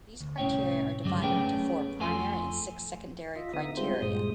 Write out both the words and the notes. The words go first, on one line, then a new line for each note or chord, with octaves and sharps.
These criteria are divided into four primary and six secondary criteria.
D2
C2 A2 C#4 C#5 G5
C#2 G2 D3 F#3 G3 D5
A3 B3 C#4 G#4 G5
F2 A3 F4 A4 G#5 C6
F4 D#5 E5
D3 B3 D#4 E5 D#6
G3 G#3 C4 F4 C5 G6
G2 A#2 G#3 D#6